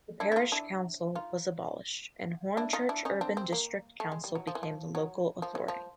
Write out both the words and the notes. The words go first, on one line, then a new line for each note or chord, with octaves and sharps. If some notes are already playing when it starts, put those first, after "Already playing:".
The parish council was abolished and Hornchurch Urban District Council became the local authority.
D4 E4
E4
D#4 F4
D4 E4
D#4 F4
D4 E4
D#4 F4
D4 E4
C#4 D#4
C4 D4
C4
A#3
A3
G#3
G3
F#3
F3
E3
F3
F#3
F3
E3
F3